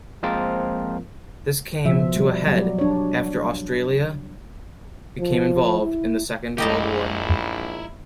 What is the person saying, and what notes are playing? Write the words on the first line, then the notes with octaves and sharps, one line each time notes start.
This came to a head after Australia became involved in the Second World War.
F3 G#3 A#3 C4 F4 A#4
B2 F3 E5
G3
F#3 G3
D4 C#5
F3
E4
A#1 F#2 G#3 D#4 E4 G4 D#5 A5